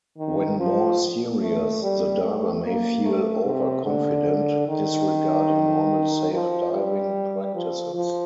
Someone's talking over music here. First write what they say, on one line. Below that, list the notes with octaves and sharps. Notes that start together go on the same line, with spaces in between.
When more serious, the diver may feel overconfident, disregarding normal safe diving practices.
D#3
F3
A3
G3
A3
A#3
A3
C3
D3
D#3
F3
G3
F3
F3